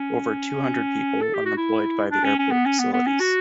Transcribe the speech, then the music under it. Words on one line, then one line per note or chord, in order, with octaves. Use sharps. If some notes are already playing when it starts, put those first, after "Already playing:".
Over two hundred people are employed by the airport facilities.
Already playing: C#4
A4
G4
F#4
E4
D4
C#4
C#4
B3
C#4
B3
B3
C#4
F#4